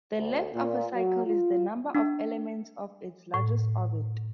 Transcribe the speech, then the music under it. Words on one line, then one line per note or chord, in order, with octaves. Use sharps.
The "length" of a cycle is the number of elements of its largest orbit.
D2
A#2
F#3
F4
D4
A2